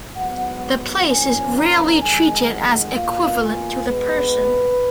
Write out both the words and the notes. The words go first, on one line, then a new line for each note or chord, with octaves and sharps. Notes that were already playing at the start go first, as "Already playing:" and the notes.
The place is rarely treated as equivalent to the person.
G#2 F#3 B3 F#5
A#2 F3 A#3 C#4 G#5
A#5
F2 D#3 G#3 G#5
F#5
B2 A#3 F4 F5
G#5
B2 G#3 B3 B4